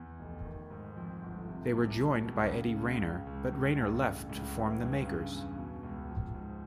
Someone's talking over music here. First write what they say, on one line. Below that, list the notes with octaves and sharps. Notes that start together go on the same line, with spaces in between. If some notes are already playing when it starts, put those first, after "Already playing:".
They were joined by Eddie Rayner, but Rayner left to form The Makers.
Already playing: E2
F1
D#3
G#2
F2
G1
C3
C2
B2
C#2
C#3
C#2
C#3
C#2
G2
A1
C#3
C#2
E3
G2
C#3
E2
B2
C#2
F3
G#2